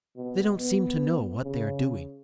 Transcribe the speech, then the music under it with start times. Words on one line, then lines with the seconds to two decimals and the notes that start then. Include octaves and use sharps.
They don't seem to know what they are doing.
0.16 B2
0.58 B3
1.44 C#3